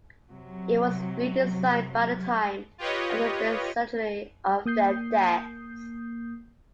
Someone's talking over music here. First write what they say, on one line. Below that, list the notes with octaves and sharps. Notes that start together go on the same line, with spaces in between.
It was redesigned by the time of the bicentenary of their deaths.
C3 F#3
F4 G4 B4 C#5 D#5
A#3 D#6 G6 C7